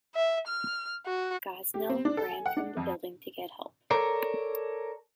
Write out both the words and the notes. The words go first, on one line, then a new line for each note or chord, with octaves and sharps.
Gosnell ran from the building to get help.
E5
F6
F#4
G4
C4
D4
A4
G#5
F#5
D4
F2
A4 A#4 C#5 D5